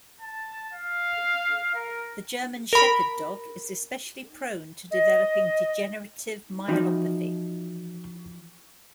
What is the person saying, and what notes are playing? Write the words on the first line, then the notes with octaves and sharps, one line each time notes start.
The German Shepherd Dog is especially prone to developing degenerative myelopathy.
A5
F5
A#4
A#4 B5
D#5
E3 F3 D#4 F#4